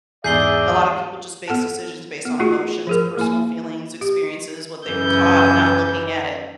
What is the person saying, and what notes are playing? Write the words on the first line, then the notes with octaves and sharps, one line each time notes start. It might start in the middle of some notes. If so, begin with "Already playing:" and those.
a lotta people just base decisions based on emotions, personal feelings, experiences, what they were taught, and not looking at it,
E2 G#2 G#4 D5 E5 G6 C7 G7
B3 A4 F#5 A5
B3
A3 F4 F#4 G#4
F3 G#4 A#4
A#3 E4 G#5
G4
F#2 C#3 E3 G6